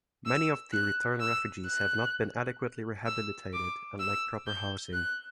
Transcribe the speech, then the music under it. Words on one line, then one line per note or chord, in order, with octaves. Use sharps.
Many of the return refugees have not been adequately rehabilitated and lack proper housing.
E6
F#6
E6
F#6
E6
D6
E6
G6
F#6